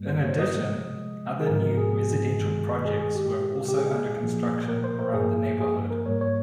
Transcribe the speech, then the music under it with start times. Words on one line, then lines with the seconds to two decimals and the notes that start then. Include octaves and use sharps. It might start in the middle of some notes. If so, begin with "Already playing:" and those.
In addition, other new residential projects were also under construction around the neighborhood.
Already playing: G2 G3 A#3
0.09 C5
0.24 C#5
0.39 D#5
0.55 C3 F3 G#3
1.40 G#4
1.47 G#2 F3 G#3 A#4
1.62 A#4
1.77 G#4
1.92 G#4
2.38 G2 D#3 G#3
2.85 G#4
3.00 G#4
3.15 G4
3.31 A#2 G#3
3.69 G4
3.77 G#4
4.23 A#2 F3 A#3
4.68 A#4
4.84 C5
4.99 A#4
5.14 G2 F3 A#3 G#4
5.60 G#4
5.90 A#4
6.06 G#2 G3 A#3 C#5
6.21 C#5